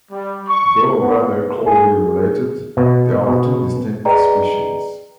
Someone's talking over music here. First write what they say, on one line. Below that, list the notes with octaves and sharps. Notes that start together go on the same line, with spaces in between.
Though rather closely related, they are two distinct species.
G3
C#6
B3
G#4
B2
B2
G#4 B4 D5 D#5 G5 A#5